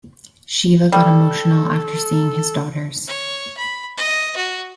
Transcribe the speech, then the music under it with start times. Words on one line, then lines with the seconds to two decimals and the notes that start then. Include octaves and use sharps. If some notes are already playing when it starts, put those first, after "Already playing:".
Shiva got emotional after seeing his daughters.
0.92 G3 A4
3.08 C#5
3.57 B5
3.97 D#5
4.36 F#4